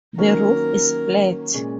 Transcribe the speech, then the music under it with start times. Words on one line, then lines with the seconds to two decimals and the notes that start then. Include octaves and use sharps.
The roof is flat.
0.18 D#3 F#3 A#3 C#4 A#4
1.54 A#2 G#3 C#4